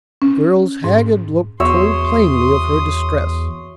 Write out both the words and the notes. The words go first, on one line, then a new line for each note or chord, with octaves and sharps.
The girl's haggard look told plainly of her distress.
C#4
G#2
E2 F#4 C#5 E5 C6 D#6 E6